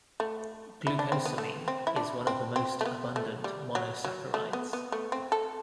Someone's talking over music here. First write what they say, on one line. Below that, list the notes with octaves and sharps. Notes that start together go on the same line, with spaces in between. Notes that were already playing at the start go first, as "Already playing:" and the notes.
Glucosamine is one of the most abundant monosaccharides.
A3
E4
D4
C4
B3
A3
C4
E4
D4
C4
C4
A3
B3
A3
G3
F#3
F#3
A3
B3
B3
A3
C4
A4